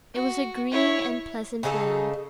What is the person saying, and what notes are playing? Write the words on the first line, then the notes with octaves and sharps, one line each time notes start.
It was a green and pleasant land.
F#4
E4 C#5
C#3 D#4 G#4 A4